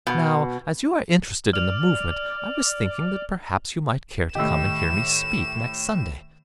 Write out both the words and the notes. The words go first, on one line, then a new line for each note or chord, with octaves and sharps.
Now, as you are interested in the movement, I was thinking that perhaps you might care to come and hear me speak next Sunday.
B2
D5 F6 F7
A2 D#3 G4 E6 E7